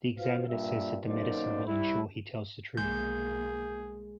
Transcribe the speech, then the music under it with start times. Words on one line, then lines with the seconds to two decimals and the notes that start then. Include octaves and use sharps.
The examiner says that the medicine will ensure he tells the truth.
0.19 F4 F#4 B4 C5 F5
0.48 G2 A#2 E5
1.05 B1 F#2 A#3 D#4 C5 D5
1.67 G3 E4
2.77 B1 G#3 A#3 G#4 G6